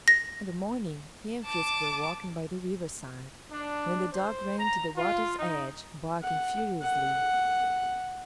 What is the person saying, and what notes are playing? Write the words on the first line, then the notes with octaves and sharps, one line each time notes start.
In the morning he and Frisk were walking by the riverside when the dog ran to the water's edge, barking furiously.
A#6
A5 D6
D4
C5
A#5
F4
D#4
F#5
F#5